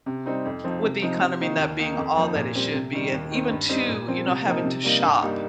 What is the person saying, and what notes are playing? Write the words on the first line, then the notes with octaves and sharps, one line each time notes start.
with the economy not being all that it should be, and even too, you know, having to shop,
C3
G3 C4 D#4
F2
F3 C4 D#4
C3
F3 C4 D#4
C3
D#3 A#3 D#4
D#2
D#3 A#3 D#4
F2
F3 A#3 D#4
A#2
G3 C4
C3
D#3 G3
D#2
D#3 C4
G2
G3 C4 D#4
A#2
F3 C4
C3
F3 A#3 D#4
C3
G3 A#3 D#4
G2
G3 A#3 D#4